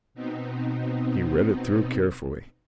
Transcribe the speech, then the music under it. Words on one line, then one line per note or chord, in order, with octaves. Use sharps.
He read it through carefully.
B2 B3 C4 D#4